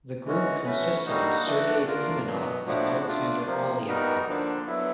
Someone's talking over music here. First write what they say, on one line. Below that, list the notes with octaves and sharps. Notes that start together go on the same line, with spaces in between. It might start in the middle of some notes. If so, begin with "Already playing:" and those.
The group consisted of Sergei Pimenov and Alexander Polyakov.
E3 G#3 C#4 F#4
A3 C#4 F#4 B4
D3 G3 A#3 D#4 F#4
E3 A3 D4 F#4
A#3 D4 F4 A#4
B2 F#3 B3
A2 F3 A3 D4 F#4
A3 D4 F4
C3 F3 A#3
G3 B3 D#4 F#4 A#4
D3 F3 A#3 D4
D3 F#3 B3 E4